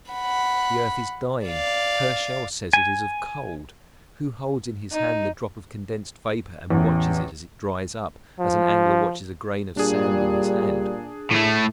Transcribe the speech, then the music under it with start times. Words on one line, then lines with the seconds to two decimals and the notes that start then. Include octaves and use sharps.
The earth is dying; Herschell says it is of cold; who holds in his hand the drop of condensed vapor and watches it as it dries up, as an angler watches a grain of sand in his hand?
0.11 F#5 B5
1.46 D5 F5
2.73 G#5
4.92 D#4
6.70 A1 E2
8.40 F3
9.77 A#2 G3 D4 G#4
11.31 A2 A3